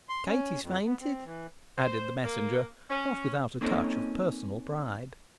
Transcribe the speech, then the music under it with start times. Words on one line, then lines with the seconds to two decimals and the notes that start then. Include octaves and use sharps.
"Katie's fainted," added the Messenger, not without a touch of personal pride.
0.09 C6
0.26 C#4
0.61 F2
0.85 B3
1.01 C4
1.24 E3
1.78 C5
2.23 A#3
2.90 C#4
3.61 A#3 C4 C#4 D#4 A4 A#4